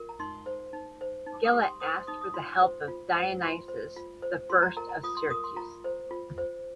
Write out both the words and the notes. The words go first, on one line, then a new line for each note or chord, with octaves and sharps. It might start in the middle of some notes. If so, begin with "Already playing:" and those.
Gela asked for the help of Dionysius the First of Syracuse.
Already playing: F4 A#4
A#5
D#4 C6
C5
D#4
C5
D#4
D#6
G4
C6
C5 D#6
C6
D#4 D#6
D#6
F4 C6
C5
F4
C5
F4 C6
C5
F4
C5
F4 C6
A#5
A#4 A#5
A#5
F4 D#6
C6
A#4 D#6
C6
F4 A#5
C5
F4
C5